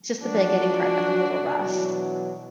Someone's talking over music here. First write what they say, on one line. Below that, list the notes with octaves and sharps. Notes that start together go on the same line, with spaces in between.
Just the beginning part that's a little rough.
F3 F#3 D4 F#4
B2 E3 F#3